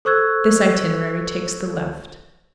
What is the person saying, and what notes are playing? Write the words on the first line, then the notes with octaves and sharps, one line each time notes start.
This itinerary takes the left.
A4 C5 C#6 E6 F#6 G#6